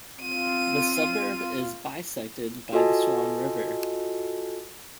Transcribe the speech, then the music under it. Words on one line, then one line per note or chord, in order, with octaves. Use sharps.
The suburb is bisected by the Swan River.
C4 F4 D#7
F4 F#4 A4 D#5 G#5 A5